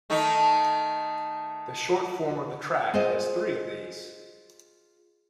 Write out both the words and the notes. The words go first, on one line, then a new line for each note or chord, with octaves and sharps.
The short form of the track has three of these.
D#3 A3 D#4
F4 G#4 C5 D#5